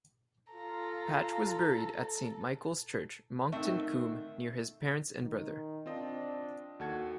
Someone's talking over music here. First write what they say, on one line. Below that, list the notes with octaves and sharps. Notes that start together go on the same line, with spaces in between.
Patch was buried at Saint Michael's Church, Monkton Combe, near his parents and brother.
F4 A4 A#5
D3 D#3 A3 C4 E5
D#3
C4 D4 F4 D#5
D#2 F#4 A4 G#6